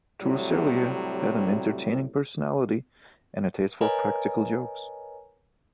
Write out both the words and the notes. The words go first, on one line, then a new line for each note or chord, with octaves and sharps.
Trousselier had an entertaining personality and a taste for practical jokes.
A2 C3 F#3 G3
A#4 B4 C#5 D#5 G#5 A#5